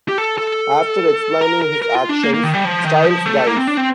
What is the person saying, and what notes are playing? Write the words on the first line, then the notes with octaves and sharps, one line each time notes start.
After explaining his actions, Stiles dies.
G4
A4
A4
A#4
A#4
A#4
F4
D4
A#3
A#3
D#3
G3
F3
D#3
F3
A3
A#3
C4
D4
C4